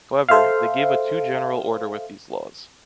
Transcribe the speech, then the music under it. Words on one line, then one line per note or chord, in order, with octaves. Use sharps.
However, they gave a too general order with these laws.
A4 C5 E5 F5